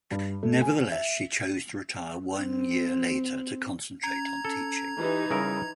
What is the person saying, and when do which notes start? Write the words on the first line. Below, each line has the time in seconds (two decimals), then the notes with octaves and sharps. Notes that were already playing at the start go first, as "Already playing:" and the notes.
Nevertheless, she chose to retire one year later to concentrate on teaching.
0.11 G2
0.43 A3
0.61 G#5
0.92 E5
2.38 C4
4.04 C#4 A#5 G#6
4.45 C#4 A4
4.99 E3 D#4 G4
5.31 C#3 G3 E4 A#4